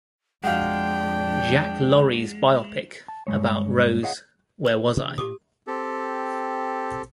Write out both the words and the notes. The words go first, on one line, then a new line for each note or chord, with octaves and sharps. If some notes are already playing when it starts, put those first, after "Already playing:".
Jacques Laurey's biopic about Rose, Where Was I?
F2 G#3 D4 F#4 F5 G5
A5
G2 D#3 G#3 C#5
G#4 C#5 D#5 F5 F#5
B4 F#7 G7
C3 D4
A2 G4 D6 D#6
C4 G4 A4